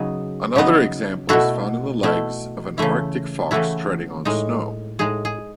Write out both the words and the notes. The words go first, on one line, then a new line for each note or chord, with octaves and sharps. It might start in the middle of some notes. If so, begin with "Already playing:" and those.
Another example is found in the legs of an Arctic fox treading on snow.
Already playing: C#3 F#3 B3 D#4 G#4
C#3 F#3 B3 D#4
B2 A3 E4 F#4 A4
B2 A3 E4
C#3 E3 A3 E4
C#3 E3 A3 E4 F#4 A4
A2 G#3 D#4
A2 G#3 D#4 G#4
G#4